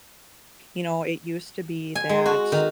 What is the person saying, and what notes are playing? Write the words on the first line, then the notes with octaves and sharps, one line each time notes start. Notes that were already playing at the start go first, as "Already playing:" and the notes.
You know, it used to be that,
G#5
G#3
F#4
D#3